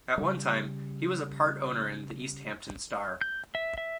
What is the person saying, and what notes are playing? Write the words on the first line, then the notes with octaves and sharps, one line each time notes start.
At one time, he was a part-owner in "The East Hampton Star".
C#3 G3
G6
E5
E5